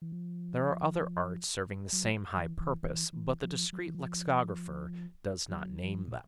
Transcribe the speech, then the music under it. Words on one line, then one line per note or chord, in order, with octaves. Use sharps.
There are other arts serving the same high purpose, but the discreet lexicographer does not name them.
E3
F3
F#3
E3
E3
E3
E3
F3
F#3
F3
E3
F3
F3
F#3
F3
A#2